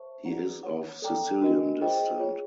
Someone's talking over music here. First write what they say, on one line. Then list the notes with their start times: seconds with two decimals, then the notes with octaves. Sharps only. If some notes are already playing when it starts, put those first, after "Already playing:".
He is of Sicilian descent.
Already playing: C5 E5 A5 C#6
0.25 G#4 B4 D5 F#5 A#5
0.63 A#4 C#5 F#5
1.02 A4 D5 G5 A#5 D6
1.41 D4 F#4 A#4 D#5
1.81 F4 G#4 C5 D#5 G5
2.20 F4 G#4 C#5